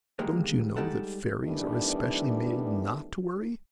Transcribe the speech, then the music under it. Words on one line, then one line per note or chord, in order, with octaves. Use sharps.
Don't you know that fairies are especially made not to worry?
D2 D#3 G3 G#3 A#3
G3 G#3 D#4 A4 F#5
D#3 E3 G3 A3 B3 D4